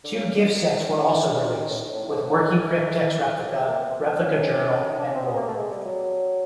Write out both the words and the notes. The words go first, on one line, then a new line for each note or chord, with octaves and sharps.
Two gift sets were also released, with working cryptex replica, replica journal, and more.
D3
C#3
C#3
D3
D#3
D#3
D3
C#3
D3
C#3
D3
D#3
D#3
A2
A2
G#2
A2
D#3
E3
E3
F3
E3
F#3
G#3
A#3
B3
C4
D4
C#4
D#4
D4
C#4
C4
B3
A#3
A3
G#3
G3
F#3